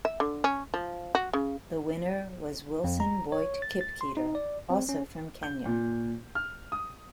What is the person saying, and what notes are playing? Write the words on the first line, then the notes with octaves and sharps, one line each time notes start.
The winner was Wilson Boit Kipketer, also from Kenya.
E5
D3
C#4
F3
F#4
C#3
F2
A#5
C#5
A6
A6
C6
D#4
D5
C4
C#4
G6
A#2
F6
D#6